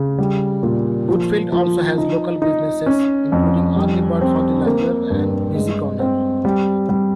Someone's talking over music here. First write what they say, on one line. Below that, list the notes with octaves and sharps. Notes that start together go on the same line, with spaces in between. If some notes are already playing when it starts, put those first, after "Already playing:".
Goodfield also has local businesses including Early Bird Fertilizer and Busy Corner.
Already playing: C#3
G3
A#2
F3
F3
D#4
D#4
C#4
F2
G3
C4
A#3
G2
G#3
C4
G3
G3